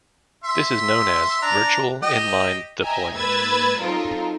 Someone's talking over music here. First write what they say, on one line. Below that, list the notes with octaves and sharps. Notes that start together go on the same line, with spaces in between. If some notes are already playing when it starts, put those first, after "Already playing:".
This is known as virtual inline deployment.
E5 C6
D4 A#5
G4 D#5 G5
D#5 E5 G5 G#5 A#5
G#2 A#3 B4 E6 G#6 A6
F#3 C4 D#4 F4 A4 A#4